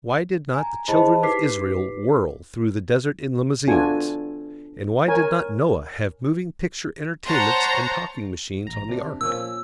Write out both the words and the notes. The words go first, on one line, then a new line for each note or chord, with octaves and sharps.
Why did not the Children of Israel whirl through the desert in limousines, and why did not Noah have moving-picture entertainments and talking machines on the Ark?
G#5 A#5
E4 G#4 C5 D#5 A5 B5
D#4 G4 B4 D6 B6 C7
B3 D4 F4 F#4 A4 G#5
A#4 C#5 G#5
C5 C#5 F#5 A5 A#5 C6
A1 A#5
C3 D4
A#2 F3 C#4 E6